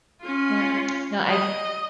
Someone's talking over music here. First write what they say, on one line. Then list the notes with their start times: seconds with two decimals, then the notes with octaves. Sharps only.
Yep. No, I've
0.21 C#4 F4
1.29 D#5